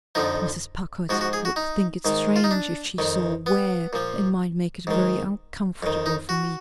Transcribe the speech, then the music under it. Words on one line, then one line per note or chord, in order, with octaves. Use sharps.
Mrs. Packard would think it strange if she saw where, and might make it very uncomfortable for me.
F2 D3 F3 D#4
G#2 F3 F#4
F#4
G#4
F#4
D#4
G#2 D#3
F4
D#4
D4
F2 D#3
B3
A#2 F3
G#2 D#3
F2 D#3
D#4
F#4